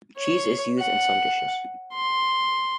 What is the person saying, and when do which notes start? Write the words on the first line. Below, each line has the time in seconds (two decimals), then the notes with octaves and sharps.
Cheese is used in some dishes.
0.17 C#5
0.80 F#5
1.93 C6